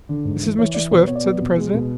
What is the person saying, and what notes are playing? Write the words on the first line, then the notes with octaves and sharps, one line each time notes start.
"This is Mr. Swift," said the president.
D3
G#2
E3
E3 C#5
E3 D5
B2 C#5
B4
B3 C#5
D5
B3
B2
G#3
B2